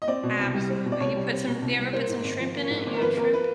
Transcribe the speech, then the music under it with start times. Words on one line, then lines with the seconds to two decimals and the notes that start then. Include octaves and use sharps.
Absolutely, you put some you ever put some shrimp in it? You have shrimp?
0.02 D#5
0.08 C4 D5
0.23 B2
0.39 C2
0.54 G3
0.70 C4
0.85 B2
0.92 D5
1.01 C2 C#5
1.16 G3
1.32 C4
1.47 B2
1.62 C2
1.78 G3
1.93 A#3 C5
2.09 G#2
2.24 G#1
2.40 F3
2.55 A#3
2.70 G#2
2.87 G#1
2.94 A#4
3.01 F3 B4
3.17 A#3 A#4
3.33 B4